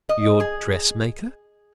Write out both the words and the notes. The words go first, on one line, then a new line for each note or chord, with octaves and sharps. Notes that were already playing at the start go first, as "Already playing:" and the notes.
"Your dressmaker?"
D#5
G#4